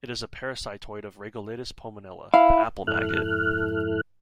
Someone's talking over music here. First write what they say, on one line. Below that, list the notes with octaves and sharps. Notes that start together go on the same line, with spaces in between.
It is a parasitoid of "Rhagoletis pomonella", the apple maggot.
E4 F5
F2 G#2 E4 A4 F6 F#6